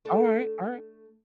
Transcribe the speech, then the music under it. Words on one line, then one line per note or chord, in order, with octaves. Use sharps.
Alright, alright.
A3 D4 A4